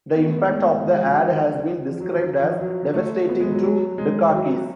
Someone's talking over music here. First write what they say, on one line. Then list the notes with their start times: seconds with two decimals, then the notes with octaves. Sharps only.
The impact of the ad has been described as devastating to Dukakis.
0.15 B3
0.26 A3
0.38 B3
0.46 G#3
0.50 A3
0.85 G#3
0.96 F3
1.07 F#3
1.90 F3
2.00 F#3
2.13 F3
2.24 F#3
2.41 F3
2.59 F#3
2.94 A3
3.29 B3
3.40 G#3
3.52 F#3
3.63 F#3
3.98 G#3
4.33 F#3